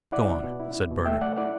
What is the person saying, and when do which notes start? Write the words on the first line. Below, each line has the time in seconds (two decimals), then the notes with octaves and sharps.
"Go on," said Bernard.
0.12 E4 D5 F#5
0.28 B2
0.44 B2
0.60 E4
0.74 E4
0.91 B2
1.05 A3 E5 G5
1.21 A3 D5 F#5
1.37 E4 D5 F#5